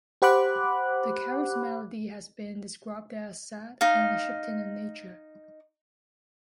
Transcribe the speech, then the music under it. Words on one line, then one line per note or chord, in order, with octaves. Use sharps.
The carol's melody has been described as "sad" and "shifting" in nature.
G4 C5 F#5 B5 D6 F#6
D#4 F5